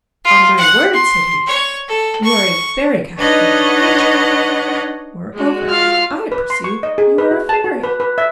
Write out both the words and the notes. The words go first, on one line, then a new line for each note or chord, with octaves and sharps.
"On my word," said he, "you are a very captivating creature; moreover, I perceive you are a fairy."
F4
F#5
C6
C#5
A4
C#6
D4 D#4 B4 C#5 D#5 F#5
G#3 F#4
F4 F5 F6
B4
C6
C#6
D#5
G#4
B4
F#4
A5
F#4
B4
B4
E5